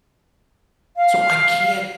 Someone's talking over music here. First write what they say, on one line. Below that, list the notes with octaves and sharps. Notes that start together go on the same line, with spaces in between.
so I can't
F5